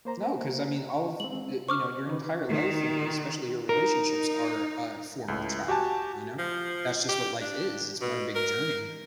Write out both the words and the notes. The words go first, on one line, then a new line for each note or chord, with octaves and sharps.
No, 'cause, I mean, all of, eh, you know, your entire life and especially your relationships are a form of travel, you know? That's just what life is; It's one big journey.
A#3 C5 A#5
C#6
G#3 C4 F#7
C5 C#6 D6 F6
D#3 D#4 B4
D#3
D#4 A#4
C#2 A2
F#4 G4 G#5 A5
F3
G4
D4
B2
A#4